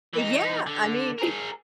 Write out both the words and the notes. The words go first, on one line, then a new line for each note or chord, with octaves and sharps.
Eh yeah. I mean,
E3 D#4
D3
G#4 A#4